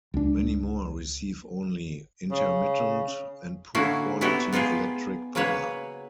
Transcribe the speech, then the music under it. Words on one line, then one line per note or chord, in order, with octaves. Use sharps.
Many more receive only intermittent and poor quality electric power.
C#2 D4
C#3
A2 D3 A#3 C#4 E4 F#4
B3 D#4 E4 F#4 G4
B3 D#4 F4 G4 G#4
C#3 F#3 A#3 C#4 B4 C#5